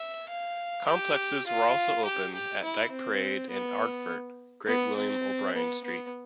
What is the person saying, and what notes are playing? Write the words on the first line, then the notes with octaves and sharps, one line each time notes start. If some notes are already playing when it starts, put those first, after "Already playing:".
Complexes were also opened at Dyke Parade and Ardfert, Great William O'Brien Street.
Already playing: E5
F5
G4
F4
G4
G4
E4
C4
B3
B3
C4
B3
B3